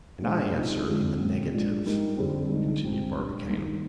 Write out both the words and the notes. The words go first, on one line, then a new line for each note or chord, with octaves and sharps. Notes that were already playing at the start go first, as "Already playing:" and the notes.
"And I answer in the negative," continued Barbicane.
A#2 G#3 D4 G#4 C5
C3 F3 G#3 D#4
F2 D3 F3 G#3
A#2 G#3 C4
G#2 F3 G#3 D4
G#2 G3 A#3 D#4 A#4
F2 D3 G3 C4
D3 G#3 D#4
G2 F3 G#3 C4 F4
A#2 G3 A#3 D4
G2 D#3 G3 A#3